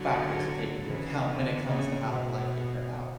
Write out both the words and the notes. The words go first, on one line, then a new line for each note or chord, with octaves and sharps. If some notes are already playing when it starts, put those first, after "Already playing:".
factors to take into account when it comes to how life can turn out.
Already playing: D3 F#3
C#3 E3
D3
C#3
B2